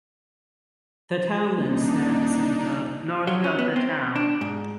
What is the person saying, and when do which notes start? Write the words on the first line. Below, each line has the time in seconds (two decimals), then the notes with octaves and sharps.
The townland stands in the north of the town.
1.58 D#1 D4 D#4
3.27 F#3
3.44 C#4
3.59 B3
3.76 C4
4.16 D4
4.41 G#2